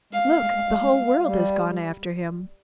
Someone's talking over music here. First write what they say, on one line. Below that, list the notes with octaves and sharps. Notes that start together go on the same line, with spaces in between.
"Look, the whole world has gone after him!"
G#3 F5
A#3
G#3
G#3
G3
G#3
G#3
G3